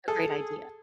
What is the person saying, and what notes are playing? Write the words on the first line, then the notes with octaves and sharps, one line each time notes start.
a great idea.
G#4 A4